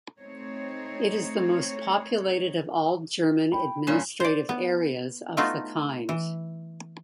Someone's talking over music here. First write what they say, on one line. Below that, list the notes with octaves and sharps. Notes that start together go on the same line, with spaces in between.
It is the most populated of all German administrative areas of the kind.
A3 C4 D#4 C#5
G5 B5
G2 A#2 C#4 D4
C5 D5
B3
A3 B3 D#4 F4 F#4 A4
E3